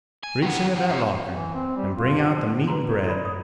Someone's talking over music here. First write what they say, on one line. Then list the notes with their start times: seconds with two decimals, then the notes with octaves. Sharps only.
Reach into that locker an' bring out the meat an' bread.
0.23 G#5
0.42 D#3 B3
0.76 F2 F#5
0.89 F#2
1.32 E3
1.55 C4
1.77 G3
1.97 F4
2.16 G4
2.32 F3
2.67 F#4 B4 A#5 C6
2.92 A4
3.07 A4 D5 B5
3.25 D#6